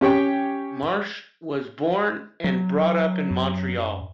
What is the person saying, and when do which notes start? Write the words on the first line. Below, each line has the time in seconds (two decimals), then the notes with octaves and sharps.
Marsh was born and brought up in Montreal.
0.01 C#4 G4 C#5 G5
2.44 F#3
3.31 F#2